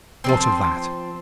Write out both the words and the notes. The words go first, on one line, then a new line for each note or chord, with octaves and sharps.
What of that?
F3 A#3 C4